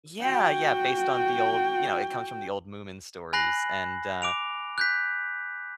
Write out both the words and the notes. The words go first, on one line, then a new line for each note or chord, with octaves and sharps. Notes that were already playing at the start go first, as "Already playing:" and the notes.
Yeah, yeah, based on the old you know, it comes from the old Moomin stories and, uh,
F#4 G5
G#5 B5 F#6 A#6 C7 F#7
D6 D7 F7
F#6 G6 B6